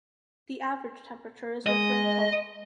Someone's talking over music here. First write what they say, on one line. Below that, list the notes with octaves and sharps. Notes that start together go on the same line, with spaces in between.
The average temperature is with rainfall.
G#3 D#5